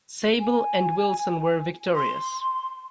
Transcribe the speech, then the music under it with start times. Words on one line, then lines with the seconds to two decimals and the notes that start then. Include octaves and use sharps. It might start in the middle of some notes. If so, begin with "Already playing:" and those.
Sable and Wilson were victorious.
0.39 G#5
1.95 C6